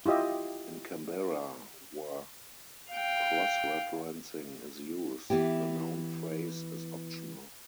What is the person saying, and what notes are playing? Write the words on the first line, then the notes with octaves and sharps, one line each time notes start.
In Kambera, where cross-referencing is used, the noun phrase is optional.
E4 F4 G4 D#5 E5
F5 G5
E3 B3 E4 G4